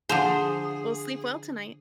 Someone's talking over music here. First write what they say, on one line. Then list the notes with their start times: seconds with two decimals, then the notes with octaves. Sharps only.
Well, sleep well tonight.
0.09 D3 F3 G#4 C5